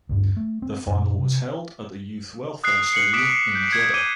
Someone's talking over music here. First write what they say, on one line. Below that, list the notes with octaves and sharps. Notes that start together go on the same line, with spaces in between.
The final was held at the Youth Welfare Stadium in Jeddah.
D2 G2
A3
C4
F#2 A#2
C3
D#6 F#6 C7
C#7 F#7
D6 D#6 B6 D7 E7
G6
G#6
D6 D#6 D#7 G7